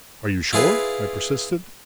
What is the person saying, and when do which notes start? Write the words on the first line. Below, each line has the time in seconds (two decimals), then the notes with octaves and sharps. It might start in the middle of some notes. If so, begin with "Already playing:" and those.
"Are you sure?" I persisted.
0.53 E4 F4 G#4 B4